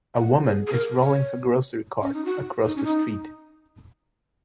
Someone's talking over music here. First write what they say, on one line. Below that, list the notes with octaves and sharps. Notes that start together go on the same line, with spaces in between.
A woman is rolling her grocery cart across the street.
F#5
G#4
G#4
A#4
C#5
C#4
D#4
F#4
D#4
C#4
D#4